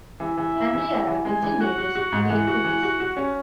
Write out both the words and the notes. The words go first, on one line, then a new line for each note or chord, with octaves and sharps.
Henrietta Vinton Davis played Clarisse.
E3 E5
E3
E4
E3
E4
E3
G#3 G#5
E3
F#4 F#5
F#4
F#4
G#2
E3 F#5
F#4
E3
F#4
F#4
C#4